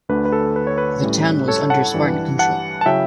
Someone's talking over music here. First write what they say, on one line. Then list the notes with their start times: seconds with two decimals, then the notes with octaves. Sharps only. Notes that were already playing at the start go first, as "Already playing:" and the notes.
The town was under Spartan control.
0.09 D2 D3 A3 D4 B4
0.25 B4
0.32 A4
0.56 B4
0.67 C#5
0.78 B4
1.02 A2 G3 C#4 E4
1.48 A4 C#5
1.70 F#5 A5
1.94 G2 E3 G3
2.39 F#5 A5
2.81 A5
2.86 C#3 F#3 C#4 E4 E5 G5